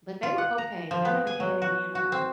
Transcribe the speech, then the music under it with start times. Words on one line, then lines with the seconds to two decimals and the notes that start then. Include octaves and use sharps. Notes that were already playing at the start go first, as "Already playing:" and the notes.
But they were okay, I haven't had any in about,
0.23 F4
0.38 F#5
0.58 A#5
0.91 F3
1.05 B3
1.27 G#5
1.40 F#3
1.62 F#4
1.95 F#4
2.12 C4